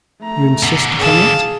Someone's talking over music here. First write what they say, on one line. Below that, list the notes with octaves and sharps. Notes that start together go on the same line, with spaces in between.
"You insist upon it?"
A3 A#5
B2 D3
G#4 F5 A5